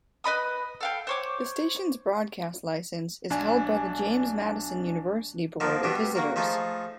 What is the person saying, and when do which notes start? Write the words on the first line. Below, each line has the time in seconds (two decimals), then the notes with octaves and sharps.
The station's broadcast license is held by the James Madison University Board of Visitors.
0.24 B4 D#5 B5 D#6
0.81 A4 F5 G5
1.07 C5 C#5 D6
3.30 B1 D4 G#5
5.60 D3 F3 A#3 D#4
5.83 G2 B2 G3 D4
6.15 A#3 F#4
6.36 F3 A3 D#4 G#4